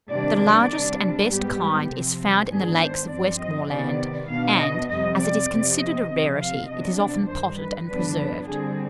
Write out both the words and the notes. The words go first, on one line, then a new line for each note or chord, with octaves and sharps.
The largest and best kind is found in the lakes of Westmoreland, and, as it is considered a rarity, it is often potted and preserved.
C3 D#3 G3 D4 D5
C3 G3 D4
G#2 G3 B3 G4
C3 F3 C4
G#2 D#3 B3 D4 G#4
C5
G2 F3 C4 D5
D#5
C3 D#3 B3 D5
B2 B3 D4 F5
D#5
F2 C3 G3 C4 D#5
D5
C3 F3 C4
D#5
C3 F3 C4
F5
C3 F3 B3 D4 D#5
D5
G2 D#3 G3 C5
B4
G2 D3 F3 B3 D4 B4
B4
D3 G3 C4 G#4